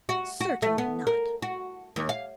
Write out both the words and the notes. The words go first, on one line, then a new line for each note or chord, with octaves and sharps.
"Certainly not!"
F#4
F#4
A3
B3
A#4
F#4
D#2
F5